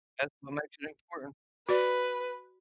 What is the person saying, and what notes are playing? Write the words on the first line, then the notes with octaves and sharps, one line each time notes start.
That's what makes it important.
F#4 B4 D5